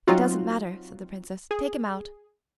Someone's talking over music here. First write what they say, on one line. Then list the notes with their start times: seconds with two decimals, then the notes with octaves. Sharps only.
'It doesn't matter!' said the Princess. 'Take him out!'
0.07 F#3 C4 D#4 F4 F#4
1.51 G#4